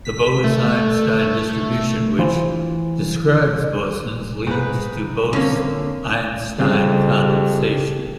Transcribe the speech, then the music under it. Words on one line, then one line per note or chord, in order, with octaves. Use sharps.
The Bose-Einstein distribution which describes bosons leads to Bose-Einstein condensation.
B6
A3
E3 F4 C5
G#2 G#4 B4
D3 A#3 C4 C#4
F2 C#3 G3 C4 G4 G#4